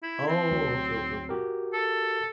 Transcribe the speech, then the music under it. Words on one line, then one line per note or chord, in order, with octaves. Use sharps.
Oh, okay, okay, okay.
E4
C4
D2 F#3
F#4 G4 A#4
A4